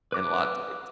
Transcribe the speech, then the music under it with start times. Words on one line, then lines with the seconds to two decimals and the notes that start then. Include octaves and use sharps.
in lot states.
0.12 B4 D6 F#6